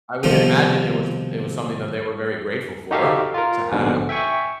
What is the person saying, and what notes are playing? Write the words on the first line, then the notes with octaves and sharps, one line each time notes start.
I would imagine it was it was something that they were very grateful for to have.
C2 B2 D#3 F3 G3
D#4 F#4 G4 A4 E5 F5
F4 A#4
A#1 G#2 B2 D3
E5 G5 G#5 C#6